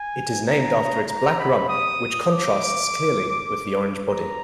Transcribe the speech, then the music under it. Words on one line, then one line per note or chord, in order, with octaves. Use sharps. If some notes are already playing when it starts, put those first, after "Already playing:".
It is named after its black rump which contrast clearly with the orange body.
Already playing: G#5
A#5
A#5
B5
D#6
D6
A#5